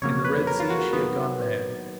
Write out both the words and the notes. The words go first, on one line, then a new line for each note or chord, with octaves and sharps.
In the Red Sea she had gone mad.
F2 C#3 F#3 A#3 C#5
B4
A#4
F4
F#4
D#3 F#3 A#3 B3